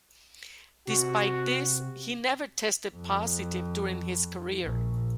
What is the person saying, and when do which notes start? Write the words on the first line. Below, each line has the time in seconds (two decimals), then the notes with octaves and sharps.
Despite this, he never tested positive during his career.
0.87 C3 F#4
2.95 F2
4.63 A#1